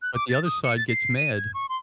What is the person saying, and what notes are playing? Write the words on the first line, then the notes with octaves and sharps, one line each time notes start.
But, the other side gets mad.
F#6
D6
A6
D#6
C#7
A6
C7
D#7
G#6
C#6
C6